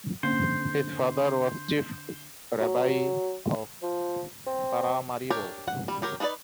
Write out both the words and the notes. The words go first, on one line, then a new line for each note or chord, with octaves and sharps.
His father was chief rabbi of Paramaribo.
D3 A#3 C4 C#4 C5
F#3
F3
C4
D4 G4 A#4 C#5
F#5
G3
F#3 G4 A#4 C#5
D4 D#4 F#4 B4 D5